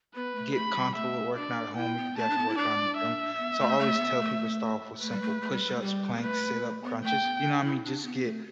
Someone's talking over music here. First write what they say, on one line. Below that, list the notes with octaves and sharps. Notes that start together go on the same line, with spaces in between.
get comfortable with working out at home, you could definitely work on the gym. So, I always tell people to start off with simple push-ups, planks, sit-up, crunches, you know what I mean? Just get
B3 B4
A3
A3 B5
G3
A3 E5
D4 D5
E4 G5
B3
A3 A5
D4
B3
E4
D4 D5
E5
B3
A3
A3
B3
A3
A3 B4
G3
A3
A3
G3
G3
A3
G3 G4
B3
A3 B4
A3
B3
A3 G5
B3
D4
E4
D4
B3
A3